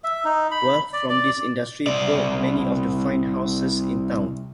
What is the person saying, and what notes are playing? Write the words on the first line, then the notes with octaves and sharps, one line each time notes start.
Wealth from this industry built many of the fine houses in town.
E5
D#4
B5
D5
D5
C2 D5